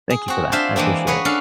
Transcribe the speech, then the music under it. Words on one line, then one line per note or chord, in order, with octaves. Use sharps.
thank you for that. I appreciate it.
G#4
C4 F#4
D4 F4 C5 E5
E3 G#3 A#3 C4 D4
F#4 G#4 B4 C#5
C#4 D4 A4 F5